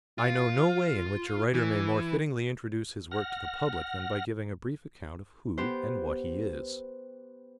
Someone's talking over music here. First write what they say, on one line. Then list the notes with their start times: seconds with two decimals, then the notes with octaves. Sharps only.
I know no way in which a writer may more fittingly introduce his work to the public than by giving a brief account of who and what he is.
0.18 F4
1.54 E3
3.11 F#5 F6 A#6
5.58 B3 G4 C5